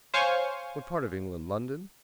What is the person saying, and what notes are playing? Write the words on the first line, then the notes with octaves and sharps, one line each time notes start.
"What part of England--London?"
C5 C#5 F5 G#5 C#6